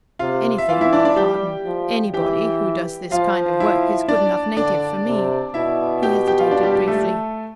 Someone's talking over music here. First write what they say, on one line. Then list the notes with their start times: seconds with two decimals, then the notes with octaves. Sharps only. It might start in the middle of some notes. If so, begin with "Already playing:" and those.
"Anything--pardon, anybody--who does this kind of work is good enough native for me." He hesitated briefly.
0.19 C3 F4 F5
0.58 E5
0.68 E3 F4 F5
0.81 E4 E5
0.93 D4 D5
1.05 D4 D5
1.16 G3 G4 G5
1.65 F3
2.14 E3 G4 G5
3.11 F3 F4 F5
3.60 E4 E5
4.08 D4 D5
4.57 D3 D4 D5
5.06 C3
5.54 B2 E4 E5
6.03 G4 G5
6.27 G4 G5
6.39 F4 F5
6.51 D4 D5
6.63 G3 G4
6.75 G3 G4
6.88 A3 A4